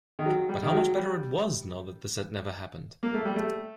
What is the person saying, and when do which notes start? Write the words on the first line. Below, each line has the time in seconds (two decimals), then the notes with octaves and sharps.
But how much better it was now that this had never happened!
0.19 D#3
0.26 F#3
0.49 G3
0.63 D#3
0.72 F#3
0.95 G3
3.03 A#3
3.14 A3
3.25 G3
3.36 A3